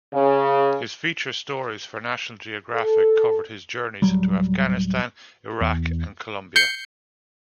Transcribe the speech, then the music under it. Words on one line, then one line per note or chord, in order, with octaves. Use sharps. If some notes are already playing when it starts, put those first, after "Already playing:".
His feature stories for National Geographic covered his journeys into Afghanistan, Iraq and Colombia.
C#3
A4
D1 C2 F#3 G3
E2
G6 C7 C#7